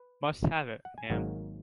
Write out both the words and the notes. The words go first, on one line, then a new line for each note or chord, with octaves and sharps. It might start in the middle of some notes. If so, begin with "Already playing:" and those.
Must have it, ma'am.
Already playing: B4
F#5
G#5
G#1 G#2 D#3 F#3 A#3 F#5